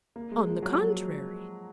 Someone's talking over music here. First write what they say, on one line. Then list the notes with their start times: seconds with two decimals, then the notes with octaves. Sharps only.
On the contrary!
0.16 A#3
0.31 G#3
0.47 F3
0.63 F#3